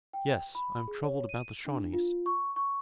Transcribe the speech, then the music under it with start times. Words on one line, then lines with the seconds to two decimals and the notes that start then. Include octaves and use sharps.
Yes, I am troubled about the Shawnees.
0.13 G5
0.55 B5
0.88 G#4
1.04 C#5
1.29 D#7
1.66 D4
1.93 F4
2.26 C#6
2.56 C#6